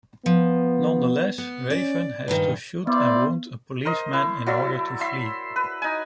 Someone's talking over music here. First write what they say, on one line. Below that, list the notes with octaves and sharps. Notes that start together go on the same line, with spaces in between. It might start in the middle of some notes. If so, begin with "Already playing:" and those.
Nonetheless, Raven has to shoot and wound a policeman in order to flee.
F3 B3
B3
C#4 D5
G2 A#2 D#3 B4
B3 E4 C5 D5
A#4 C5 D#5
E4
F#3 E4 D5 E5
E5 C6
B4
D#4 G#5